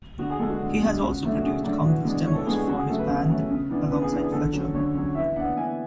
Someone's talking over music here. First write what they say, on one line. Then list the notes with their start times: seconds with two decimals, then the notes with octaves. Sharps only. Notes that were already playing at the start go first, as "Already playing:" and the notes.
He has also produced countless demos for his band, alongside Fletcher.
0.18 D3 F#4
0.30 G#4
0.39 G#3 D4 A4
0.50 F#4
0.60 D3
0.81 G#3 D4
1.01 C#3
1.23 F#3 A3 D4
1.38 F#4
1.43 C#3 G#4
1.63 F#3 A3 D4
1.85 E3 F#4
2.05 G#3 B3 D4
2.26 E3 C#5
2.36 A4
2.46 G#3 B3 D4 G#4
2.57 G#4
2.67 C#3 F#4
2.77 G#4
2.88 F#3 A3 C#4 A4
2.99 B4
3.09 C#3
3.29 F#3 A3 C#4
3.50 C#3
3.70 E3 B3 D4
3.91 C#3 B4
4.02 G#4
4.11 E3 B3 D4
4.22 G#4
4.32 D3 A4
4.53 F#3 C#4
4.74 D3 C#5
4.94 F#3 C#4
5.15 E3 E5
5.36 B3 D4 F#5
5.57 E3 G#5